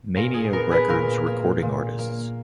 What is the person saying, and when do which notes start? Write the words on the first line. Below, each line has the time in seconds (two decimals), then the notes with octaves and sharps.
Mania Records recording artists.
0.16 A#2 A#4
0.34 G#4
0.53 B3 A#4
0.71 G#4 B4
0.89 A#2 A#4
1.26 A#3
1.62 A#2
1.99 A#3